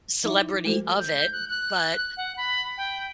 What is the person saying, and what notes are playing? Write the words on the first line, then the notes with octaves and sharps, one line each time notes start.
celebrity of it. But,
F3 D#4 E4 E5 D6
G#3 A3 F#4 A4 C5
G6
F#6
F#6
F#6
F#5
B5
G5